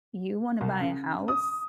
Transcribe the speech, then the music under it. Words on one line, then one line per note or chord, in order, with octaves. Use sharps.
you wanna buy a house,
C2
C#3
D#6